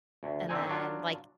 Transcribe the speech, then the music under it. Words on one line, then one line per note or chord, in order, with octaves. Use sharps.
And then, like,
D2
D3 C4 D#4 G#5
F#3 D4 F4